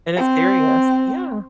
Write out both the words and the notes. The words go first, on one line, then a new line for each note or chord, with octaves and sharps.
And it's serious Yeah.
C4